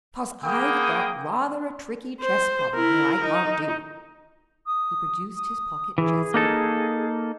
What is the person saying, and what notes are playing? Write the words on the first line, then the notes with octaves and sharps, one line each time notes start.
"Because I've got rather a tricky chess problem here I can't do." He produced his pocket chess-board.
A#3 G#4 F#5 G5 B5 D#6
C5
E4 A#4
D#4
D#6
D#6
E3 G#4
A#3 D#4 A4